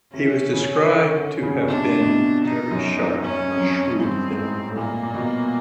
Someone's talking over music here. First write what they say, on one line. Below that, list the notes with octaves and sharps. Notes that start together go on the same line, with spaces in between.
He was described to have been very sharp and "shrewd".
C3 C#4
C#3
D3
D3
C#3
B2
C3 D4
B2
C3
B2 D#4
F#2
F2
F2
F#2 C#4
F2
F#2
G2 C4
G#2
A2
A2
A#2 A#3
A#2
B2